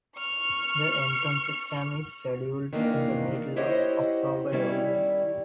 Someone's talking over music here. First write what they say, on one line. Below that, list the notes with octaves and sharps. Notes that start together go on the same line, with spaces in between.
The entrance exam is scheduled in the middle of October every year.
C#6 F6
D#3 E3 A#3 D4
E4 G4 C5 C#5 D#5 F#5
D#3 G3 C#4 E4 D5